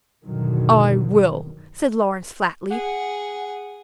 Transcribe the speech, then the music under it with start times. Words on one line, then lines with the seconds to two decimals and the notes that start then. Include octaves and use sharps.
"I will," said Lawrence flatly.
0.25 E2 G2 B2 D3 D#3 F#3
2.71 G#4 F#5